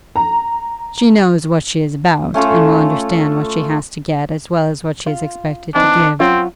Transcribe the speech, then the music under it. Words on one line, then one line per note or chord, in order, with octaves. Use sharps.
She knows what she is about, and will understand what she has to get as well as what she is expected to give.
A#5
A3 C#4 F4 A4
F4
E3 C4 D4 D#4
F#3 C4 C#4 F4